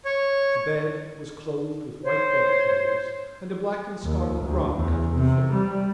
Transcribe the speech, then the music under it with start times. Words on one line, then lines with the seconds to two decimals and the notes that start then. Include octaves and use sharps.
The bed was clothed with white bedclothes and a black and scarlet rug covered the foot.
0.05 C#5
2.04 C5 C#5
4.05 D#2
4.41 D2
4.79 E2
5.17 C3
5.53 G3